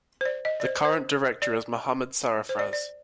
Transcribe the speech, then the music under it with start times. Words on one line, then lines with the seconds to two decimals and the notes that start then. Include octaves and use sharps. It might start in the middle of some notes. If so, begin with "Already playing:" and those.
The current director is Mohammad Sarafraz.
0.21 C5
0.25 D5
0.45 D#5
0.60 D5
0.65 C5
0.85 C5
1.42 D5
2.49 C5
2.59 D5
2.73 D5